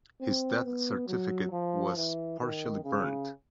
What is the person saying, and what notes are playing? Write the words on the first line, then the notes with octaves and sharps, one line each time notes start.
His death certificate was partially burnt.
C4
B3
F#3
F3
E3
D#3
C#3